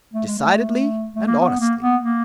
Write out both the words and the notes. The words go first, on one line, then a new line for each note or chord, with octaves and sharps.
"Decidedly and honestly."
A3
G#3
A3
A3
A#3
B3
A#3
B3
A#3